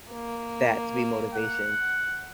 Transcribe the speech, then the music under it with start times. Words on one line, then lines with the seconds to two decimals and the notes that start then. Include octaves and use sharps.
that to be motivation.
0.12 A#3
1.34 F#5